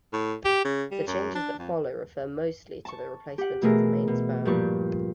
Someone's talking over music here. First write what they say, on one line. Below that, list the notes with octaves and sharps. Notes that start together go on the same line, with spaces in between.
The changes that follow refer mostly to the replacement of the main span.
A2
G4
C#3
G3
F#2
D4
F2
A5 C#6
G4 F#5
B2 E3 A3 B3 G#4 A#4
B2
G2 A#2 F3 G4 D5 C#6